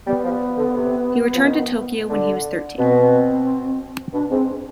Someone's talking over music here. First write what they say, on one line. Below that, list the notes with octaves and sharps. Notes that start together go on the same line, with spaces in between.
He returned to Tokyo when he was thirteen.
G3 B3
F3
D3
C3
F3
D#3
D3
B2 C4
B3
C4
B2 D4
G#2 C4